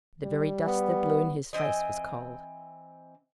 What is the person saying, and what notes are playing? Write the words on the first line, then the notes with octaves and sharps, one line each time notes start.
The very dust that blow in his face was cold.
G3
B3
E3 C4 D#5